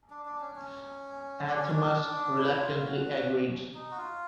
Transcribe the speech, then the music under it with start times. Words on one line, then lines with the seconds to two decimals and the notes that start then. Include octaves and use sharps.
Athamas reluctantly agreed.
0.10 D4
0.26 D4
0.40 C#4
0.55 C#4
1.47 D4
1.59 C#4
1.70 D4
2.38 E4
2.61 F4
2.84 F#4
3.74 D#4
3.91 F#4
3.97 F4